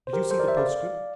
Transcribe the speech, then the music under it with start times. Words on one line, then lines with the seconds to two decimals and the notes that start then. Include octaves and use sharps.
"Did you see the postscript?"
0.07 C5
0.13 G4 A#4
0.31 A4 C5
0.39 A#4 D5
0.48 C5 E5
0.57 D5 F5